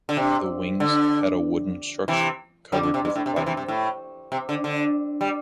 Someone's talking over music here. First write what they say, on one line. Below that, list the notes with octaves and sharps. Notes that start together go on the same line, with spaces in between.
The wings had a wooden structure, covered with plywood.
D3
C3
D3
C3 E3
D3 G3
D3
C3
G2
A2
C3
C3 E3
C3 E3
C3
A2
C3
D3
D3
G3